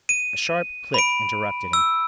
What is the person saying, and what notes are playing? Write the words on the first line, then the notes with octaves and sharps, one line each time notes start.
A sharp click interrupted him.
D#7
B5 D7
E6